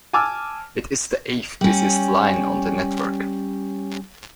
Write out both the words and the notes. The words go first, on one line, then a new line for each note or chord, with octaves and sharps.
It is the eighth-busiest line on the network.
G#5 A5 D6 E6 F6
G3 C#4